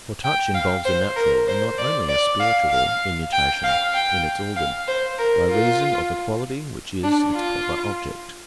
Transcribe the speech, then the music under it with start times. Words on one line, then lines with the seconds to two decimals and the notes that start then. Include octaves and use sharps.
For touch involves a natural, and not only a spiritual, immutation in its organ, by reason of the quality which is its proper object.
0.24 G5
0.54 F5
0.85 C5
1.16 A#4
1.48 C5
1.78 D5
2.09 D5
2.40 F5
2.70 F5
3.33 G5
3.64 F5
3.94 G5
4.56 F5
4.88 C5
5.19 A#4
5.48 F4
7.04 D4
7.34 F4